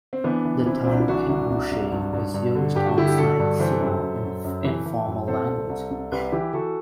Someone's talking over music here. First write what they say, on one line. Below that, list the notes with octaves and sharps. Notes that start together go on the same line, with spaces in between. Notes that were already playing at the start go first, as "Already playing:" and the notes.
The term "kinboshi" is used outside sumo in informal language.
C4
E3 B3 D4
E3
C3 C4 E4
C2 C4
D4
E4
E3 D4 F#4
C2
C2
C2
G2
G2
G2
D3
G2 G4
F#4
D3 E4 G4
G4
D3 F#4 A4
G2
E3 A4 C5
F#2
F#2
F#2
F#2
E3
E3
F#2
C3 A4 C5
C2
C2
C2
C2 G4 B4
E3 E4 G4
E3 F#4 A4